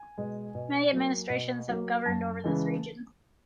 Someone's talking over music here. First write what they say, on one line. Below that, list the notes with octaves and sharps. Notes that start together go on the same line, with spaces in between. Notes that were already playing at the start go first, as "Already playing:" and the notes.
Many administrations have governed over this region.
Already playing: G#5
B2 G#3
B2
F#3 A#3
B2
F#3 A#3
F#2 A5
C#3 E3 G#3